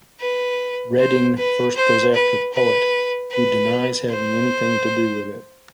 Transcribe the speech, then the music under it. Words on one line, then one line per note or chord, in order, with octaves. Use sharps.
Redding first goes after Poet, who denies having anything to do with it.
B4
C5
B4
C5
B4
B4
B4
C5